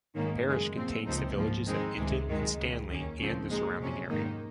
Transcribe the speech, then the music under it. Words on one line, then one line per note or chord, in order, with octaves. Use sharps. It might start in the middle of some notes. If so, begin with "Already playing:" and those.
The parish contains the villages of Endon and Stanley and the surrounding area.
G#2 D#3 A#3 C#4
F#2 C#3 G#3
A#2 F3 C4
C#2 C3 F3 C4 D#4
G#2 F3 A#3
D#2 D#3 G#3 C4 D#4
C#2 C3 D#3 G#3
F#2 D#3 G#3
C#2 C#3 G#3
D#2 D#3 A#3 C#4
C#2 C#3 F3 C4
A#2 G#3 D#4
F2 C3 F#3 C#4
G#2 D#3 A#3 D#4